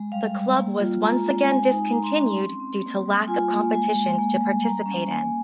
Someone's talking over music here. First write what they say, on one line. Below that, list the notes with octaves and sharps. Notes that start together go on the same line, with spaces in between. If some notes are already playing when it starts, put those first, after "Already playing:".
The club was once again discontinued due to lack of competitions to participate in.
Already playing: G#3
G3 F5
G3
A#3
F4
G#3 A#5
C4
G#3 G#5
D#4
G#3 A#5
C6
C#4
C6
C4
C4
A#3
G3
F4 G#5
A#3
G#3 G#5
G#3
A#3
G3
G3 A#5
C#4
A#3 G#5